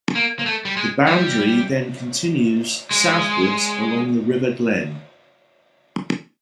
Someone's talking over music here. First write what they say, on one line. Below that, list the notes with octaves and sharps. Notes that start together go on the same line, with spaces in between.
The boundary then continues southwards along the River Glen.
A#3
A#3
A3
G3
G#3
G3
G#3